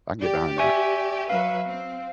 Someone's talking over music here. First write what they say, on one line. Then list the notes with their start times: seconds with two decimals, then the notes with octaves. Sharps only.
I can get behind that."
0.21 G4 D5
0.58 E5 G#5 C#6
1.29 F#3 B4 E5 F5
1.66 C4